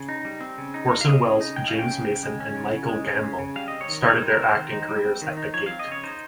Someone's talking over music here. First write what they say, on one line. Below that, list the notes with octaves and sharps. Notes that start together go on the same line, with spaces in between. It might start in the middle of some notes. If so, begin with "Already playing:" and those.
Orson Welles, James Mason and Michael Gambon started their acting careers at The Gate.
Already playing: C#3
D#4
G3
C4
C#3
D#4
G3
F5
C4 D#5
C#3
D#4
G#3 G5
F5
C#4
G5
C#3
C#3
G#3
C#4
C#3
C#3
G#3
C#4
C#3
C#3
G3 F5
C4 D#5
C#5
D#3
D#4 C#5
G3 C5
A#4
C4 C5
D#3
D#4
G3
C4
D#3
D#4
F3 C#5
C4 F5
D#5
C#3 C#5
D#4 C5